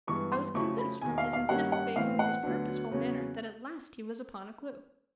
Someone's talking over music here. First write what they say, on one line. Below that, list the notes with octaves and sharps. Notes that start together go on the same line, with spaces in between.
I was convinced, from his intent face and his purposeful manner, that at last he was upon a clue.
G2 E3 G#3 B3 C#6
C6
F2 C#3 F#3 A3 C#6
B5
E1 D#2 D#3 G#5
F5
F5
G2 D#3 G3 A#3 C#4 F#5
F#5
B1 A2 E3 A3 C4 F5
F#5
D2 D3 F#3 B3 D4
E2 C#3 F#3 A#3 C#4